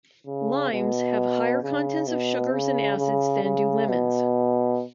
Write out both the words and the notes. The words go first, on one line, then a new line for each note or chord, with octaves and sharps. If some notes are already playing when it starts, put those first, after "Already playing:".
Limes have higher contents of sugars and acids than do lemons.
C#3
B2
C#3
B2
C#3
C#3
C#3
B2